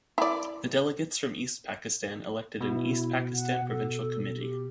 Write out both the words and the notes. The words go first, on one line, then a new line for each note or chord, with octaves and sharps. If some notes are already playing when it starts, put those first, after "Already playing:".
The delegates from East Pakistan elected an East Pakistan Provincial Committee.
E4 D5
B2 E4
F#5
A4
G4